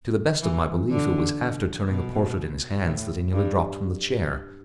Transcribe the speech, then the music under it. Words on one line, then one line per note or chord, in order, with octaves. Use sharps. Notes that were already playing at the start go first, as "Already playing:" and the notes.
To the best of my belief it was after turning the portrait in his hands that he nearly dropped from the chair.
E3
D3
B2
A2
G2